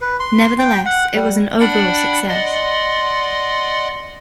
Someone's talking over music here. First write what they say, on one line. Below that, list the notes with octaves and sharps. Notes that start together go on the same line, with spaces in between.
Nevertheless, it was an overall success.
B4
C6
G5
F#5
G3
D4 D5 F#5 G5 B5
D5 D#5 F#5 C6